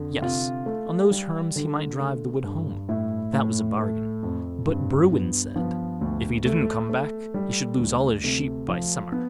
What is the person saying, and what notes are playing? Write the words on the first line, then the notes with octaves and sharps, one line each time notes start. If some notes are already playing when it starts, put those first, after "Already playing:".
Yes! on those terms he might drive the wood home, that was a bargain; but Bruin said, 'if he didn't come back, he should lose all his sheep by summer'.
Already playing: F2 D3
C3 F4
A3
G3
D3
A3
G2
A2 E4
A2
A3
F2
G2 C4
G2 B3
F3 B3
D2
A3
A3
G3
D2
C3 A3
F3
B3